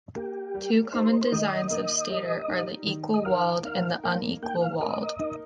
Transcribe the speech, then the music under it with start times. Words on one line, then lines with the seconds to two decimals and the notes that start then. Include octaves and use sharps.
Two common designs of stator are the "equal-walled" and the "unequal-walled".
0.16 A#3 G4
0.54 G3
0.93 D#4 C5
1.21 C5
1.32 D#3 D#5
1.70 A#3
2.09 G3
2.48 D#4
2.87 D#3
3.14 D#5
3.25 A#4 F5
3.65 D#4 F5
4.03 A#3 G5
4.42 A#3 G5
4.61 F5
4.81 A#4 D#5
5.20 D#4